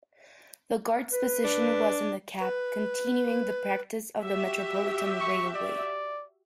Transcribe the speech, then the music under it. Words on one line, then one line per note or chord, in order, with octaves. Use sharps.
The guard's position was in the cab, continuing the practice of the Metropolitan Railway.
B4
D4
B4
F#4 G4 E5
C#6
D5